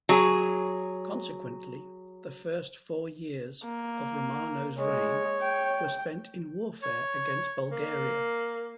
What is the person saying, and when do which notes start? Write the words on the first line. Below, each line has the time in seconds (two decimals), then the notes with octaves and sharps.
Consequently, the first four years of Romanos' reign were spent in warfare against Bulgaria.
0.09 F#3 G#4
3.64 A#3
4.78 G#3 C#5
5.41 G5
6.83 C#5
7.71 A#3